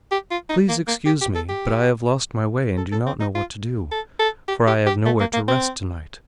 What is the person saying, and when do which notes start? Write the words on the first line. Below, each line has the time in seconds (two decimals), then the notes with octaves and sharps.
Please excuse me, but I have lost my way and do not know what to do, for I have nowhere to rest to-night.
0.11 G4
0.31 F4
0.49 D#4
0.68 A#3
0.88 A#3
1.06 G4
1.21 G4
1.35 A4
1.49 G4
2.77 A4
2.92 A4
3.06 C4
3.20 D#4
3.35 F4
3.91 A4
4.19 A4
4.48 G4
4.67 G4
4.86 G4
5.05 A3
5.20 A#3
5.33 A#3
5.48 C4